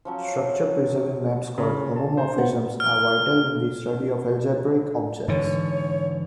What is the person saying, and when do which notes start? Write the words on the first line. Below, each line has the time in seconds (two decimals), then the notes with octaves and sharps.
Structure preserving maps called "homomorphisms" are vital in the study of algebraic objects.
0.05 F3 F#3 C#4
1.58 C#3
1.96 A5
2.17 C5
2.38 B3
2.80 F6
5.28 G#2 D3 E3 C#5